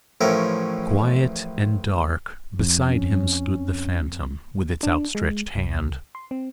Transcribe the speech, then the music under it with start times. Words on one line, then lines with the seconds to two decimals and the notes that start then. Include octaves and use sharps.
Quiet and dark, beside him stood the Phantom, with its outstretched hand.
0.21 A1 A2 F3 C#4 A4 A#4
2.59 F2
2.86 C#4
4.83 D4
5.15 G#3
5.55 C2
6.15 C6
6.31 C4